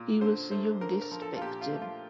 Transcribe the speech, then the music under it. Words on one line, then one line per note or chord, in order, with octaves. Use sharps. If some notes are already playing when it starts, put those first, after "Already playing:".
He was the youngest victim.
Already playing: A#2
D3 C5
A3 C5
D3 A#4
A#4
F3
A4
F4
A#2 G4
F4
A3
F4